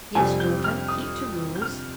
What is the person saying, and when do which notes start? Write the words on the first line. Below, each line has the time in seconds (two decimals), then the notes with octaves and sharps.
"Yes, daughter; keep to rules."
0.15 F2 C3 G3 G#5
0.40 G6
0.64 F6
0.88 D#6
1.55 G6
1.62 F6